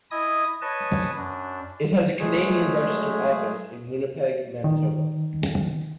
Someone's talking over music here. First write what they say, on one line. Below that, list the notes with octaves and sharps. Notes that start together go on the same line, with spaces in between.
It has a Canadian registered office in Winnipeg, Manitoba.
E4 D#5 G#5 D#6
B4 C#5 D#5 G#5 A5
F#2 D4
F#3 G#3 A3 G#4
D#3